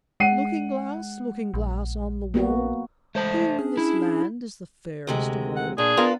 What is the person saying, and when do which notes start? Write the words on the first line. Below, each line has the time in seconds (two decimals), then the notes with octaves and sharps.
"Looking-glass, Looking-glass, on the wall, Who in this land is the fairest of all?"
0.20 G#3 F#5 C7 D#7
1.54 A#1
2.34 A#3 B3 F#4
3.15 G#3 A3 C5 A5
3.59 C#4 D4 G#4
3.77 E4
5.07 D2 C3 G#3
5.56 F#5
5.78 A#2 D4 G#4
5.97 B3 F4 A#4